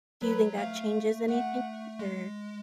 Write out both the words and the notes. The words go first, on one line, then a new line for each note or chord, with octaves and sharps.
Do you think that changes anything, or
F#3 B4
A3 F5
A3 F#5
G#3